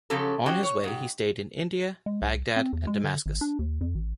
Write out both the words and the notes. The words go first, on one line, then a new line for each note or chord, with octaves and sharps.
On his way he stayed in India, Baghdad and Damascus.
C#3 F3 F#3 C#4 G4 A4
C#4 F#4 G4 C5 D#5 G5
C#5
G#2 G4
G#3
C2
C4
E2
G#3
D3
G#1
D4
D#2
F2
A1